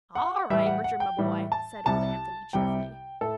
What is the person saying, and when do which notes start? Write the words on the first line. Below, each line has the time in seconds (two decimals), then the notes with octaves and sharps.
"All right, Richard, my boy," said old Anthony, cheerfully.
0.15 F#5
0.50 A2 E3 G3 E5
0.66 F#5
0.84 F#5
1.00 G5
1.18 A2 E3 G3
1.52 A5
1.86 C2 C3 G3 A5
2.53 C2 C3 G3 G5
3.21 A2 A4